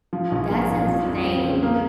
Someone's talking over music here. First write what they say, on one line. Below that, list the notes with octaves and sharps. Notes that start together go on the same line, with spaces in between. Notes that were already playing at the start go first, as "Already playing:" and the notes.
That's insane.
F3
A#1
A#3
A#2
F3
F2
C4
C#3
A#3